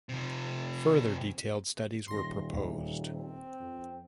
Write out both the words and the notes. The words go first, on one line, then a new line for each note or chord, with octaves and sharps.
Further detailed studies were proposed.
C3 F3
D#1 C6 A#6
D#2
C4
F2